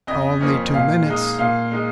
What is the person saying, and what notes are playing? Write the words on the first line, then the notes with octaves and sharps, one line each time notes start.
"Only two minutes."
F2 D#5
F3 A#3 C#4
A#2 F5
G#3 D#4
A#2 F5
G#3 D#4